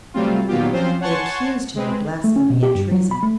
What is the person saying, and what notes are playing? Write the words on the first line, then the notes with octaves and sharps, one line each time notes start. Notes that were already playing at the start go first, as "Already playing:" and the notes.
It accused Him of blasphemy and treason.
C3 F#3 G3 A3 C4 F4
A#2 D#3 F#3 B3 F4 G4
F3 F#3 C4 C#4 F4 C5
C#5 F#5 G#5 A5 C6 C#6
G#3 C4 B4
A3
C#4
B2
G4
G2
F#3
B5
A3